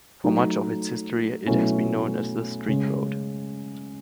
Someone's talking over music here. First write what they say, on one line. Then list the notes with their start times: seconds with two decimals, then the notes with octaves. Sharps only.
For much of its history it has been known as "the Street road".
0.24 F#3 A3 D#4
1.46 B2 F#3 A3 C#4 E4
2.68 C#3 G#3 C#4